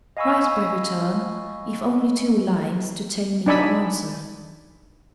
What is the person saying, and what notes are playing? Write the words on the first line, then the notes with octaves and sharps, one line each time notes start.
Write by return, if only two lines, to tell me your answer.
D#5 F5 G#5 B5 C#6 E6
D4 D#4 D5 G#5 B5 E6